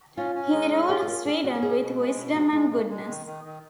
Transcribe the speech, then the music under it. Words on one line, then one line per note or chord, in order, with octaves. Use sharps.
He ruled Sweden with wisdom and goodness.
C#4 F4
C#4
G#3
C#4
F4 G#4
G#4
C#4 A#4
C#4 G#4
C#4 F#4
A#4
B2 G#4
B2
G#3
B2
G#3 F#4
G#3 D#4
G#3 C#4
G#3
D#3
D#3
D#3